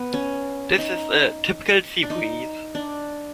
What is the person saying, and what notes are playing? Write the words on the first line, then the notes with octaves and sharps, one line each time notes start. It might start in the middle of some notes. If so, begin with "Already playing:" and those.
This is a typical sea breeze.
Already playing: B3
C#4
D#4
D4
D#4
D4